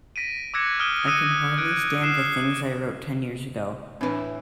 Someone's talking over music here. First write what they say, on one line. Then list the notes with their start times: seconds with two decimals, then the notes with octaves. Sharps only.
I can hardly stand the things I wrote ten years ago.
0.16 A#6 B6 D7 D#7
0.54 D6 E6 F#6 G#6 A#6 C#7
0.79 D#6 F6 D7 D#7 G7
1.07 D#6 E6 F#6 A#6 C#7 D#7
1.58 F#6 G#6 D7
2.02 F6 F#6 C7 E7
4.01 A2 E3 C4 D4